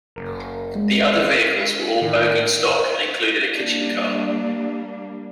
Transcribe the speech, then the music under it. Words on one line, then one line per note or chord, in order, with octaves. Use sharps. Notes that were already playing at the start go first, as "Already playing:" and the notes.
The other vehicles were all bogied stock and included a kitchen car.
F#1 A#4
G#3
A2 D#3
G3 A#3 D4